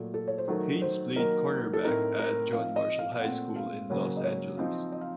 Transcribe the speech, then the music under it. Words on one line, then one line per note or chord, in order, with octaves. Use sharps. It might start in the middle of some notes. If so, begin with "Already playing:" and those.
Haynes played cornerback at John Marshall High School in Los Angeles.
Already playing: A#2 F#3 A3
A4
C#5
C5
D#3 F#3 A3 A#4
C5
D#3 F#3 A#3 D#4 A#4
A4
A2 A3 C4 D#4 A#4
A#4
F3 C4 D#4 F5
D#5
F5
F5
A#2 A3 C4 F#5
F5
C#3 F#3 A#3 C#5
D#5
C#5
F3 C4 D#4 F5
D#5
F5